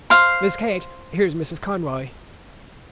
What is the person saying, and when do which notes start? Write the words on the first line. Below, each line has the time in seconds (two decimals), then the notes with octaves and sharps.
"Miss Kate, here's Mrs. Conroy."
0.10 C5 F5 C6